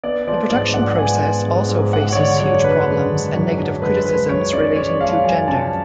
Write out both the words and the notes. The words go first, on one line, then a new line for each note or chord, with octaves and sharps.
The production process also faces huge problems and negative criticisms relating to gender.
B3 D5
F3 D5
G#2 D5
G#2 F#5
B3 G#5
F3
G#2
G#2
G#3 F#5
C#5
D3 D5
F#2 C#5
D4 B4
G#3
D3
F#2
D4
G#3 B4
F3 B4
F#2 C#5
C#4 D5
G#3 C#5
F3 F5
F#2 G#5
C#4 A5